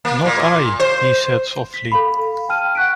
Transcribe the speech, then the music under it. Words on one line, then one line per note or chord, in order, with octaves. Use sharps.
"Not I," he said softly.
A#3
A#2
C5
B6
A4 F5 B5
F5
G5 A5 F6 D#7
F#5 C#6 F#6 B6 D7